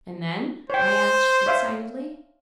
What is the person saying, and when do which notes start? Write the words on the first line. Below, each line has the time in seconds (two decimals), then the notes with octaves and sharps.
"And then?" I asked, excitedly.
0.70 C5 C#5 G5
1.46 C#5 E5 F5